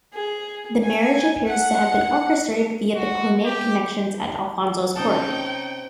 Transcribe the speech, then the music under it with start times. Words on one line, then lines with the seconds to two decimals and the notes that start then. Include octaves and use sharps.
The marriage appears to have been orchestrated via the Cluniac connections at Alfonso's court.
0.14 G#4
0.83 G#5
1.47 F#5
2.96 F#4
3.45 G4
4.96 C3 C4 C#4 D#4 G5 A5 D#6